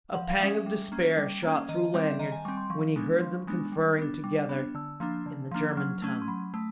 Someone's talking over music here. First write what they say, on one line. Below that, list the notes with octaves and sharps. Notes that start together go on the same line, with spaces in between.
A pang of despair shot through Lanyard when he heard them conferring together in the German tongue.
F3 F#5
F5
G#3 C#4 E5
E5
G3
A#3 C#4
G3
A#3 C#4
D#3 D#5
G3 C4
E5
D#3 D#5
G#5
G3 C4 C#6
C6
F3 C#6
G#3 B3 D4
F3
G#3 B3 D4
G3
B3 D4
G3 D6
B3 D4
D3 E6
F3 A#3 D4
D3
F3 A#3 D4
F#3 F6
A3 C#4
C6
F#3 B5
A3